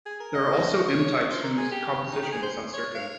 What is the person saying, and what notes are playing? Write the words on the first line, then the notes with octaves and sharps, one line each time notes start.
There are also M-types whose composition is uncertain.
G#4
A#4
D#5
C#5
C5
A#4
G#4
G4
D#4
G4
G#4
C5
C#5
F5